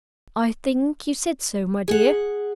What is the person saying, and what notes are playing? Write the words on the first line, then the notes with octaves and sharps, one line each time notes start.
"I think you said so, my dear."
G#4 F#5